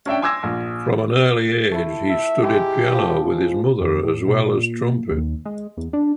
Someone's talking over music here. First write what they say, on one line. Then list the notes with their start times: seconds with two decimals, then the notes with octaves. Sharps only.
From an early age he studied piano with his mother as well as trumpet.
0.06 C#4 D4 E5 G5
0.22 G#5 C6 D6 E6 G#6 A#6
0.43 A#1
1.72 A3 E4
2.09 E5
2.43 G#3 E4 G4 G#5
2.94 F3
3.80 F2
4.04 A2
4.28 B2
4.46 A#2
5.11 D#2
5.45 G#3
5.77 E2
5.93 D4